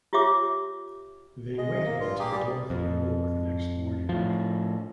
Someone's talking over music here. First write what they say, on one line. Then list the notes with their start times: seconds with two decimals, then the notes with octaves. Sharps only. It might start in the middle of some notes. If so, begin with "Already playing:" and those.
They waited until Dorothy awoke the next morning.
0.13 F4 G4 C#5 E5 D6
1.58 G#3 D#5
1.74 C3
1.86 A#3
2.00 G2 F4
2.19 A#3 G4 G#4
2.32 G3
2.70 F2
4.09 A2 F3